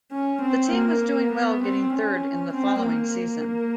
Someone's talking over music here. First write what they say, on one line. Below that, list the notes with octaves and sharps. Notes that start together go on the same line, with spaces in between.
The team was doing well getting third in the following season.
C#4
C4
A#3
B3
C4
C#4
C4
A#3